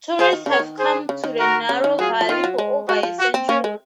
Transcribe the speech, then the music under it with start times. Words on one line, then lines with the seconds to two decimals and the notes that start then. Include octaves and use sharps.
Tourists have come to the narrow valley for over a century.
0.19 F3 G#4 C5
0.33 D#3
0.46 C#3 A#4 C#5
0.59 D#3
0.79 G#4 C5
1.09 C#3
1.24 D#3
1.39 F#4 A#4
1.69 C#3
1.84 D#3
1.99 F#3 F4 G#4
2.21 F3
2.28 D#3 F4
2.44 F#3
2.58 G#3
2.89 G#3 F#4
3.03 F3
3.19 F#4
3.34 C4
3.49 A#3 C#4
3.64 G#3